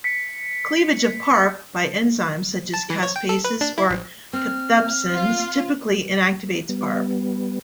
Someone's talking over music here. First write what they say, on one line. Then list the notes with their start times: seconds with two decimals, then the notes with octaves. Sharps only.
Cleavage of Parp, by enzymes such as caspases or cathepsins, typically inactivates Parp.
0.04 B6 C#7
2.74 A5
2.90 E3
3.03 C#5
3.16 G5
3.29 A4
3.44 B4
3.61 D4
3.78 E4
3.90 A1
4.33 C4 F6
5.13 F4
6.69 G3 B3